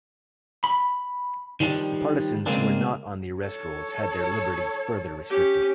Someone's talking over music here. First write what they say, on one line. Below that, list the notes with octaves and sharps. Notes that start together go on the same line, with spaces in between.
The partisans who were not on the arrest rolls had their liberties further restricted.
B5
D#3 F3 G3 D4
C#3 G#3 A#3 C4 D4
A4 C#5
C#4 G4